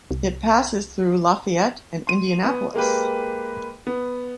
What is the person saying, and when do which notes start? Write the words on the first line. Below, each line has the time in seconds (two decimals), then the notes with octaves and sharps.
It passes through Lafayette and Indianapolis.
0.11 C2
2.07 C6 D#7
2.44 B3
2.74 G#3 A#3 G4 B4
3.87 B3